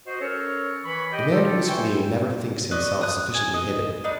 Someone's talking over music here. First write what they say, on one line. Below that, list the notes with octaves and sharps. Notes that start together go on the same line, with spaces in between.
A man who is fleeing never thinks himself sufficiently hidden.
F#4 C5 D#5
C#4 A4 A#4 C#5
E3 B5 C#6
G4 D#5 G5
D4 F4 G4 A4
B4 C5 E5 G5 G#5 C#6
B4 D5 D#5 C#6
D#6 F#6
G#5
D#5
D4 D#4 B4